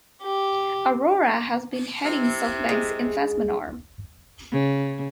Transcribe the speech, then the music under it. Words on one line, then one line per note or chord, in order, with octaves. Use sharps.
Arora has been heading SoftBank's investment arm.
G4
C3 E4
G#3
C#3